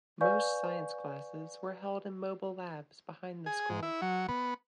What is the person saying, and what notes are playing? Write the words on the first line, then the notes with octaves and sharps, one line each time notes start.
Most science classes were held in mobile labs behind the school.
B4 D5 F5 G#5 C#6 G6
G#4
G#2
E4
F#3
B3